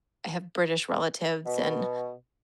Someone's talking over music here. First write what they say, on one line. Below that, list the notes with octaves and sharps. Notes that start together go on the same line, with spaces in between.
I have British relatives, and
B2